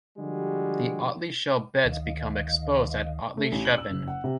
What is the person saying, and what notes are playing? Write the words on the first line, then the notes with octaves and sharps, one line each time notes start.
The Otley Shell Beds become exposed at Otley Chevin.
D3 F3 G3 G#3 F#4 G4
D2 D#3 D#5 F5
A3
A1
F#7
E6
F#1
F#5
C3